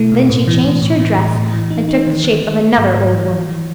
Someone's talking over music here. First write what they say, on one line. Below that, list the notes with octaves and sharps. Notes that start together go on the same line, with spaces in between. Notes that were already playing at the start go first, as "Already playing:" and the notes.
Then she changed her dress and took the shape of another old woman.
Already playing: B2 A3 E4
B2
A2
E3
A2
A2
E3
A2
A2
E3
D#4
D#4
D#3
D#3
D#3
A3
G#2
G#2
E3
E3
E3